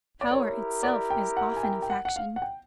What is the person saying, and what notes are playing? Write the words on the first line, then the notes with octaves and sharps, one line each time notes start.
Power itself is often a faction.
D5
E4 G4 A#4 C#5
D5
G5
F#5
G#5
G5
G5
F#5
F#5
F5
F#5
G5